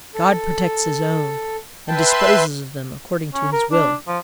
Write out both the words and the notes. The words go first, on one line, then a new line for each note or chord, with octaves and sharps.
God protects his own, and disposes of them according to his will.
A4
B4 E5 G5 A5 C6
C#4
A#4
D4
F3